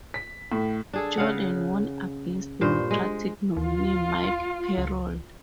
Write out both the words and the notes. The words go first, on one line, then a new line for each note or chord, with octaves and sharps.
Jordan won against Democratic nominee Mike Carroll.
B6
A2
D4 G#4 A4
C#3 F5 F#5
G2 A#2 C5
G#3
D#2 F4
C#2